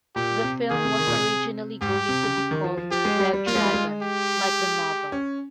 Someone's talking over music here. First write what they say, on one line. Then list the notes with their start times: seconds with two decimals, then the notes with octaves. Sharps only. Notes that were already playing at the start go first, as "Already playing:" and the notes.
The film was originally going to be called "Red Dragon", like the novel.
0.16 A#2 G4
0.43 C3
0.71 D#3 G#4
0.85 C3
0.99 D#3
1.07 A#2
1.12 C3
1.81 G#2 G4
2.09 C3
2.23 C#3
2.37 C#3
2.51 D#3
2.64 F3
2.77 F3
2.91 F3 G4
3.05 G#3
3.20 G3
3.33 G3
3.47 A#3 F4
3.55 G#3
3.64 G3
3.74 G#3
4.02 G4
5.12 C#4